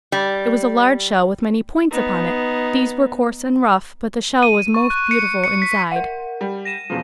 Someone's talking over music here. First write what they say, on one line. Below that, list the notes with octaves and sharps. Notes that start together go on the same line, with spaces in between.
It was a large shell with many points upon it. These were coarse and rough, but the shell was most beautiful inside.
G3
B3 D#4
D#7
C#6
F#6
C#7
C#7
B6
A#4 F#5
G3
A#6 D#7 E7
E2 B2 F3